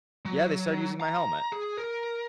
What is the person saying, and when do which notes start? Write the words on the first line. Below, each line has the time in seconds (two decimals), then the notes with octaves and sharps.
yeah, they started using my helmet.
0.25 F#3
1.01 A#5
1.53 G#4
1.77 A#4